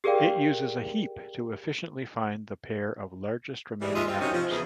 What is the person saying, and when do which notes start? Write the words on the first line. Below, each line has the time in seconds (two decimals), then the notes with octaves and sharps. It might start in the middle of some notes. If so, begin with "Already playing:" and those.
It uses a heap to efficiently find the pair of largest remaining numbers.
0.04 G4 G#4 A#4 D5 F5 G5
3.81 E3 G3 G#3
3.95 D#2 G#3 F4 D#5 E5
4.08 C4 F4
4.21 F#2 C3 F#3 C#4 D#4
4.33 F3
4.50 E2 C#3 E3 F3 E4 G#4